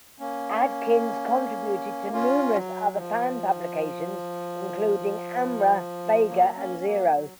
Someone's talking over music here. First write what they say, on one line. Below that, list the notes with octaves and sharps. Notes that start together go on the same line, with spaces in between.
Adkins contributed to numerous other fan publications, including "Amra", "Vega" and "Xero".
A#3 C#4
C#4 F4
F#3
F3
F#3 A#3
A#3 C#4
F#3 A#3
F#3